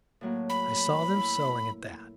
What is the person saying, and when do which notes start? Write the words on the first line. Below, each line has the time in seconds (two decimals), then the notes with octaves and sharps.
I saw them selling at that.
0.21 A2 F#3 A#3
0.49 B5
1.16 E4